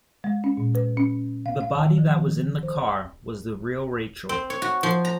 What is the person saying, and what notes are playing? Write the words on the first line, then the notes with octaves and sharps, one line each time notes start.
The body that was in the car was the real Rachael.
G#3
C#4
A#2
B4
C#4
F5
F5
D#3
F3
C5
C4
C#5
F#4
F3
A#5